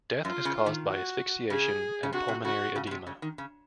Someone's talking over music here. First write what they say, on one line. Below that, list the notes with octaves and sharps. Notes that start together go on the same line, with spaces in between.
Death is caused by asphyxiation and pulmonary edema.
F#2 F4
C#3
D#3
F#4
C#3 G#4
C#3
C3 F#4
C3
C#3 F#4
C#3
C#3
C3
C#3
D#3
C#3